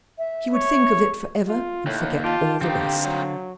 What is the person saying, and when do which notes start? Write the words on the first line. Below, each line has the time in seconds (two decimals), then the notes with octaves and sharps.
She would think of it for ever and forget all the rest.
0.18 E5
0.54 C#5
1.48 F4
1.86 D#2 A2
2.24 F4 G4 A5
2.61 D3 C4 D#4 G4 F5
3.04 F#3